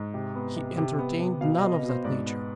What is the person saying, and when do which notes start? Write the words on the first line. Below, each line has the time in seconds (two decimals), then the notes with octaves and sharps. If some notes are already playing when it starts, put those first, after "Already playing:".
He entertained none of that nature.
Already playing: G#2
0.14 C3
0.35 B3
0.57 C3
0.77 C3
0.99 B3
1.19 C3
1.41 B2 F5
1.58 D#5
1.63 B3
1.73 D#5
1.83 B2
1.89 C5
2.04 G#2 D5
2.26 B3